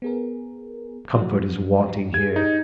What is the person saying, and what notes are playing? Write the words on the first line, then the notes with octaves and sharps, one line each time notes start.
Comfort is wanting here.
B3 G#4 A#4
F3 F#3 F#4
G4 G#4 G#6
D#4